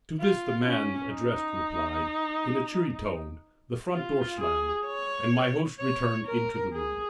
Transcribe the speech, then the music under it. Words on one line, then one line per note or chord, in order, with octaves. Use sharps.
To this the man addressed replied in a cheery tone, the front door slammed, and my host returned into the room.
F4
C#4
D#4
F4
G#4
C#5
C#5
A#4
G#4